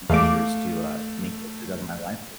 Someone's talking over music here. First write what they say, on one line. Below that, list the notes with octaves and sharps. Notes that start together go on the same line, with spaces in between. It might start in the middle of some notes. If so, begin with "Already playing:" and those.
measures to, uh, negate those out of my life so I
E2 G#3 A3 F5 D6